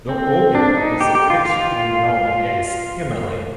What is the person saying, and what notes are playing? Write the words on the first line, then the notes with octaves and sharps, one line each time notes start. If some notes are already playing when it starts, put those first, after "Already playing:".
The organ is affectionately known as "Emily".
C4
D4
D#4
G4
G4
F4
F4